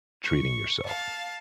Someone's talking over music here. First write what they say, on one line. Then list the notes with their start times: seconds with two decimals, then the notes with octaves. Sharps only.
Treating yourself?
0.24 C#6
0.86 F5 A5